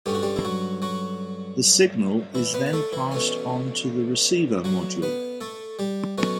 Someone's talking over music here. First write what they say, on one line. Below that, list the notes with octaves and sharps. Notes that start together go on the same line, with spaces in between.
The signal is then passed on to the receiver module.
G2 D3 A3 C#4 G4
F#4
G3 G4
E4
F#3 F#4
F#3 F#4
E3 E4
B3 B4
B4
A3 A4
E3 E4
B2 A3 C#4
F#3 F#4
B3 B4
A3 A4
G3 G4
B2 F#3 A3 C#4 F#4